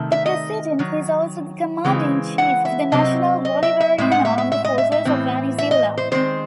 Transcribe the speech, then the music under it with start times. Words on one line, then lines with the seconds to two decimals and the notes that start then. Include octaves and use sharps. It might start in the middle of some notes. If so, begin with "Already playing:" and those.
The president is also the commander-in-chief of the National Bolivarian Armed Forces of Venezuela.
Already playing: C3 D#3 A3
0.12 E5
0.26 D#5
0.79 D#3 F#3
1.85 C#3 E3 G#3 C4
2.38 F#5
2.65 E5
2.92 C3 F#3 C4 D#5
3.45 D#5
3.63 E5
3.80 E5
3.98 A2 G#3 C4 E5
4.12 F#5
4.25 E5
4.38 E5
4.52 E5
4.65 D#5
4.78 E5
4.92 E5
5.05 A2 E3 C4
5.58 E5
5.71 D#5
5.98 C5
6.11 D#3 G#3 C4 C5